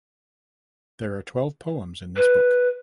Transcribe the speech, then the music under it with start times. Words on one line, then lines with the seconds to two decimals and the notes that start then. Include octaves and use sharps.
There are twelve poems in this book.
2.16 B4